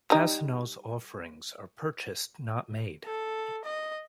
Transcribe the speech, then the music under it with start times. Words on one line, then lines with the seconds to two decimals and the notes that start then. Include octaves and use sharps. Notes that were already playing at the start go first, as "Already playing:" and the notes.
Fastenal's offerings are purchased, not made.
0.10 G3 D#4
3.05 A4
3.65 D#5